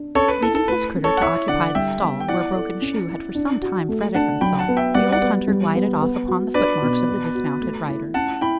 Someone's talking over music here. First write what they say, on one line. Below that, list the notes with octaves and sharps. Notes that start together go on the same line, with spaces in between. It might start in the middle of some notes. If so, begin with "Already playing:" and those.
Leaving his critter to occupy the "stall" where broken-shoe had for some time fretted himself, the old hunter glided off upon the footmarks of the dismounted rider.
Already playing: D4
C#4 A4 C#5
B4
E4 A4
A4
A3 B4
C#4
A4 C#5
F#5
E4 C#5 E5
D3 D5 F#5
G3 E5 G5
B3
G5
E4 D5 F#5
A4
C#4
E4
D4
F#4
A3
D4 F#5 A5
F#3 G5 B5
F#5 A5
B3
E5 G5
G3 D5 F#5
D5 F#5
B3
G3
B3
B3
F#4
D4 B4 D5
B2
B3
F#4
A3
E4
C#4 F#5 A5
E4 G5 B5